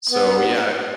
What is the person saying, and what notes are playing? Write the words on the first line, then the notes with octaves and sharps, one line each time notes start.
so yeah
B3